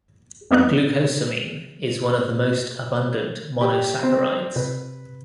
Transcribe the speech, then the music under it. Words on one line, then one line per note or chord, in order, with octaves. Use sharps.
Glucosamine is one of the most abundant monosaccharides.
F2 G3 B3 D#4 F#6
G4
C4
C3 B4